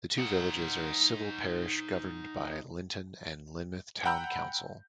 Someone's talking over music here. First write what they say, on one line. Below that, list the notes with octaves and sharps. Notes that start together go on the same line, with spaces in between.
The two villages are a civil parish governed by Lynton and Lynmouth Town Council.
D#4 F#5
F#5 G5 A#5 B5 E6 G6